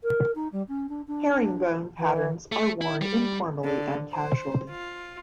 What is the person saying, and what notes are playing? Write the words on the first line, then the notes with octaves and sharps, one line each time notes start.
Herringbone patterns are worn informally and casually.
A#4
D#4
G3
C#4
D4
D4
E3
A3
E4
G3
D3
C5
F4